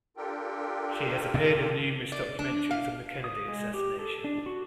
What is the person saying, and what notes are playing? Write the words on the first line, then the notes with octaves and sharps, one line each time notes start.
She has appeared in numerous documentaries on the Kennedy assassination.
D4 F4 G4 A4 A#4 G5
D5
D4
F5
D#6
G#3
G4
A4
D4
F#4